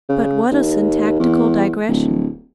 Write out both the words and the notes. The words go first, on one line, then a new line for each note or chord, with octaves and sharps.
But what a syntactical digression!
C#3
D#2
E2
D1